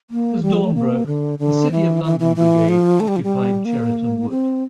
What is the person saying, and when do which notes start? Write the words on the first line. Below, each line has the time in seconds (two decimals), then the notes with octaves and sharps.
As dawn broke, the City of London Brigade occupied Cheriton Wood.
0.10 A#3
0.43 G3
0.54 F3
0.64 A3
0.75 A#3
1.06 D3
1.39 D3
1.71 E3
2.04 E3
2.20 E3
2.36 E3
2.69 F3
3.00 A3
3.08 G3
3.16 F3
3.23 G3
3.65 A#3
4.30 C4